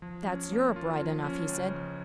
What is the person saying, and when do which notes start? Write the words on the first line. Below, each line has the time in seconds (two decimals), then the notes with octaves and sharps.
"That's Europe, right enough," he said.
0.02 F3
0.27 C#4
0.52 A#3
0.76 F4
1.01 F3
1.24 C#4
1.49 C#2
1.74 F3